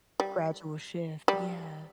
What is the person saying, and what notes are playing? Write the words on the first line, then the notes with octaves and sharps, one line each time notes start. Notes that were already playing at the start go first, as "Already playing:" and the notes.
Gradual shift, yeah.
G3
G3